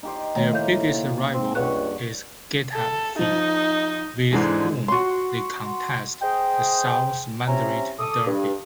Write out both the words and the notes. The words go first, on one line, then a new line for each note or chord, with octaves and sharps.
Their biggest rival is Getafe with whom they contest the South Madrid Derby.
D#4 G4 C5
D#3 A3 C#5 A#5
A2 A#3 F5 G6
C4
C#2 G2 B4 F#5 G5 C#6 F#6
A4
F3 D#4
G#2 D3 E3 G#3
F#4 C6
G#4 C5 D#5 G5
C3 C#4 E4 C5 G#5 A#5
A4 D6 D#6
G2